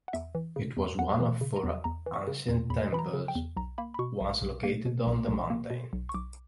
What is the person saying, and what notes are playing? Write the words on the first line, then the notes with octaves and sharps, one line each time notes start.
It was one of four ancient temples once located on the mountain.
F#5
E2 E5
E3
C#3
E2
E2 F#5
E3
C#3
A#5
E2
E2 A#5
E3
C#6
C#3
E2
E2 B5
E3 B5
A#5
C#3
G5
E2
B1 A#5
A#3 B5
B5
B2 C#6
B1
B1
A#3
B2
B1
B1
A#3
B2
B1
C#6
B1 D6